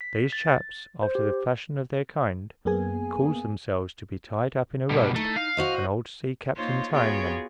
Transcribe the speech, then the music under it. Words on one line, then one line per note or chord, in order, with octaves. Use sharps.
These chaps, after the fashion of their kind, caused themselves to be tied up in a rope, an old sea-captain tying them.
B6
A6
C5
G4
F#2 A#3 B3 G#4 G#5
B2 G3
A3 D#4
F5
F#4 C5 D#5
A#3 D#4 F4 C5 C#5
B3 F4 F#4 G#4 C#5 G5